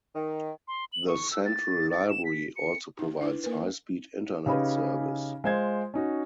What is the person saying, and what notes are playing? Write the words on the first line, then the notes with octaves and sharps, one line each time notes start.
The Central library also provides high speed internet service.
D#3
C6
F#7
C#6
E6
A6
A6
E7
B6
C#7
D#4
D4 E4 B4
A#3 A#4 B4
C#3 C#4 D#4 G4 B4 B5
G#3 F4 C5 C6 G#6
C#4 D#4 F#4